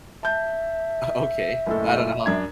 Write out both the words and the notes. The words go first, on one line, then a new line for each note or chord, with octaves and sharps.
Okay. I don't know.
E5 A5 G6
F#1 A2 A4
F#2 D4 G#6